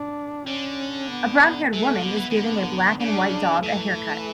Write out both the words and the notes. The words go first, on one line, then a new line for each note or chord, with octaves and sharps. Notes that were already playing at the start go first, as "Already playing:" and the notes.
A brownhaired woman is giving a black and white dog a haircut.
Already playing: D4
D3 C#4
B3
E3 A3
D3
B3
E3
E3
D3
C#3 D4
E3 A3